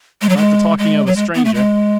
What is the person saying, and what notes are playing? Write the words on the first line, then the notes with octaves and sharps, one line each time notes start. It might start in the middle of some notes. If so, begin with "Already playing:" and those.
Not the talking-over stranger.
G#3
F#3
G#3
G#3
F#3
G#3
B3
A3
G#3